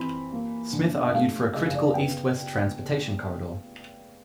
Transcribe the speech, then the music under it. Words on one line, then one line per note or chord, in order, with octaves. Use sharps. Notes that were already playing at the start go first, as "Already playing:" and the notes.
Smith argued for a critical east-west transportation corridor.
Already playing: E3 C4 B5
A#3
D3
E5
A3 F5
C#3 D#5
D5
B3 G5